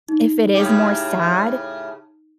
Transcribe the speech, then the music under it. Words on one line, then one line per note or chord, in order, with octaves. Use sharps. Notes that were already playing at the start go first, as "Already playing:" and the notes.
if it is more sad,
D#4
A2 C#3 G4